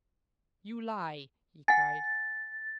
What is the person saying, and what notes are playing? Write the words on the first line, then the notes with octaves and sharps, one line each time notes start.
"You lie!" he cried.
F#5 G#5 A6